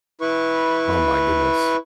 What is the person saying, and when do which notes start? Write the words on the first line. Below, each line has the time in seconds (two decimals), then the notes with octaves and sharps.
Oh my goodness.
0.21 E4 B4 C#6